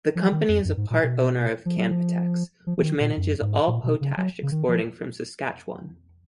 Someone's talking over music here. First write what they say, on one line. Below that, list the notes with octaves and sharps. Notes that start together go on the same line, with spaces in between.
The company is a part-owner of Canpotex, which manages all potash exporting from Saskatchewan.
F3
D#3
F2
F#2
G#2
A#2
B2
F3
F#3
F3
F3
F3
D#3
A#2
F#2
G#2
A#2
B2
C#3
F#3
C#3
D#3
F3